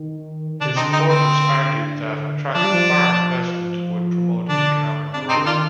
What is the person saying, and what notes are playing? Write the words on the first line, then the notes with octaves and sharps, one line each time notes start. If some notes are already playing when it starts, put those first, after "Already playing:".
His supporters argued that attracting foreign investment would promote economic growth.
Already playing: D#3
D3 D4
C3
C4 D#4
D3
C4 D#4
C4
F3 D4
G3
F3
D3 D4
C3 D4
C4 D#4
D3
D#3 D4 F4